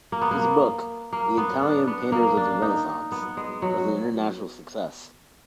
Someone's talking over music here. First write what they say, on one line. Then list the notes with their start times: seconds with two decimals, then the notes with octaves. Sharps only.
His book "The Italian Painters of the Renaissance" was an international success.
0.12 A#3
0.22 B3
0.31 A#3
1.13 A#3
1.38 B3
1.62 D4
1.87 B3
2.12 A#3
2.37 D4
2.62 D#4
3.12 B3
3.37 G#3
3.62 F#3